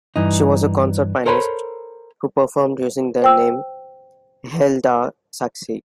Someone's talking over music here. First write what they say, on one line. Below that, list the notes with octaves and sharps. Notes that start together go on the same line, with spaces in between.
She was a concert pianist who performed using the name Hilda Saxe.
G2 E3 D#4
A4 A#4 C5 C#5 G5 B5
C5 G5 E6